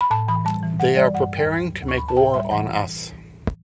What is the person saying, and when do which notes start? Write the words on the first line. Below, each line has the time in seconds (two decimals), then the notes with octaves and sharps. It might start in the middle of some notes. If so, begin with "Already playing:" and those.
They are preparing to make war on us.
0.01 B5
0.11 A2 A5
0.28 E3 B5
0.45 G3 A5
0.63 E3
0.79 G3 F#5
0.97 G3 D5
1.14 G2 F#5
1.31 G2
1.37 G5
1.48 D2
1.65 F#3
1.82 D2
1.88 C#6
1.98 D2 B5
2.08 A5
2.17 A2 G5
2.34 G3 E5
2.51 E3 F#5